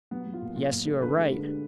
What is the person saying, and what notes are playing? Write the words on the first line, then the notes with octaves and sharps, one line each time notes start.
"Yes, you are right."
F#3 B3
F#3
F4
A#2
A#2 F4
A#2
A3
D3 B4
G#3
D3
D3